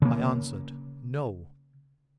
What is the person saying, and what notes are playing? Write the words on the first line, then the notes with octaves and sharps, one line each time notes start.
I answered, No.
C#3 A#3